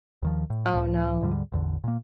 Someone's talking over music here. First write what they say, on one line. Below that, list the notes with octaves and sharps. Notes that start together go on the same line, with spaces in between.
Oh no.
D#2 D#3 F3
A2
C#2 A2 F3
D2 G#2 D3 G3
A1 E2 D3
A#2 A#3